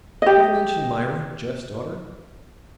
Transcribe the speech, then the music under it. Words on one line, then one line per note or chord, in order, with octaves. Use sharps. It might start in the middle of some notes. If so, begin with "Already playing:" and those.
Did I mention Myra, Jeff's daughter?
G4 D#5